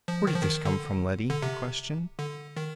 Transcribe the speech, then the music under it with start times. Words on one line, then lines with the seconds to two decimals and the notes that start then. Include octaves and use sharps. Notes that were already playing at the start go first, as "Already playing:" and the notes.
"Where did this come from, Letty?" he questioned.
0.08 F3
0.27 D#3
0.35 F3
0.42 D#3
0.65 D3
1.30 D3
1.42 C3
2.19 D3
2.57 D#3